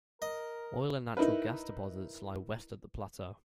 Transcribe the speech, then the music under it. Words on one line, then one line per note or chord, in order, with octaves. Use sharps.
Oil and natural-gas deposits lie west of the plateau.
A#4 D#5
D#4 E4 A#4 B4